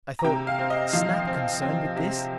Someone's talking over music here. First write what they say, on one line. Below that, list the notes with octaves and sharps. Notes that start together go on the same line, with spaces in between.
I thought, "Is Snap concerned with this?"
A#5
C3 G5
F5
C4
D#5
F3 F5
C4
C4
C3